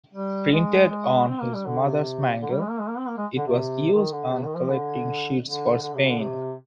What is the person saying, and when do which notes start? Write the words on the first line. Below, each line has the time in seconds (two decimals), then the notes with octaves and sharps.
Printed on his mother's mangle, it was used on collecting sheets for Spain.
0.14 G3
0.52 G#3
0.90 G#3
1.28 C4
1.41 A#3
1.54 G3
1.66 D3
1.85 C3
2.42 D3
2.51 G3
2.60 G#3
2.70 A#3
2.80 G#3
2.89 A#3
2.98 C4
3.08 A#3
3.17 G#3
3.37 D3
3.46 C3
3.93 D#3
4.12 D3
4.31 C3
4.44 D#3
4.56 F3
4.69 D3
5.45 D3
5.82 D3
5.95 C3
6.07 D3
6.20 C3